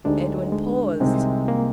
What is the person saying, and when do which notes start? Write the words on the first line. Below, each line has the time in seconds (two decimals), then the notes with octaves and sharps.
Edwin paused.
0.04 D2 D3 G#3 D4 D#4 G4
0.52 G#3
1.00 C2 C3 D#3 G#3 C4
1.48 A#3